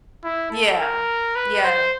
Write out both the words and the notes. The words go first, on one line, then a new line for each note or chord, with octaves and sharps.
Yeah, yeah.
E4
A4
A#4
B4
C5